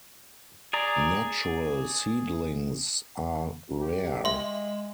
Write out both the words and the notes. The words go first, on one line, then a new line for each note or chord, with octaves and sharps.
Natural seedlings are rare.
G#4 D5 A#5
G4
G#3 E5 C6